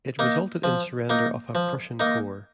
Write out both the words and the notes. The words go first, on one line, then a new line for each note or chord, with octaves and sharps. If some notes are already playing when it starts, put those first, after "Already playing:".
It resulted in surrender of a Prussian corps.
A#3 D#4
F3
A#3 D#4
F3
A#3 D#4